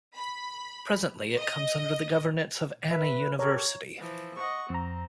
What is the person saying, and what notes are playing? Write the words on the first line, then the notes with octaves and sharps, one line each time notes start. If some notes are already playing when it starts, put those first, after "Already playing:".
Presently it comes under the governance of Anna University.
B5
D#5
B4 E5
G4 A4 A#4 C#5 A#5
E3 F3
D#5 F#5 C#6
F2 C4 A#5